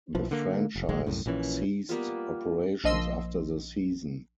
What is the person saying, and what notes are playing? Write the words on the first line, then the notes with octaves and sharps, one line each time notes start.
The franchise ceased operations after the season.
B1 E3 F3
D3 A#3
F1
E1 A#1 D#2 G#3
C2 F#2 A2
A#1 A#2 E3 C#4
G3 A#3 B3 F4
A#1 F3 D#5 C6 E6